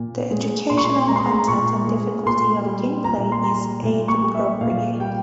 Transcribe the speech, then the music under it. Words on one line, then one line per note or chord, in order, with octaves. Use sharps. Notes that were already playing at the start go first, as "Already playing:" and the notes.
The educational content and difficulty of gameplay is age appropriate.
Already playing: A#2
G#3
A#2 C6
C#6
C6
G#3 A#5
C6
A#5
C6
A#5
A#2 C#6
G#3
A#2 C6
G3
A#2 A#5
C6
G3 A#5
A#2
C#6
G3
E5
A#2 F5
G3 G5